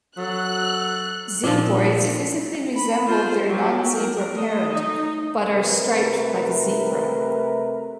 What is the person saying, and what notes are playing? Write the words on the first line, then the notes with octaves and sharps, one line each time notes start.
Zebroids physically resemble their nonzebra parent, but are striped like a zebra.
F#3 A4 F#6
A#2 F3
B5
F4 C5
F#3 G4
A#4
A3 D#5
D#4
C3 A3 A#4 B4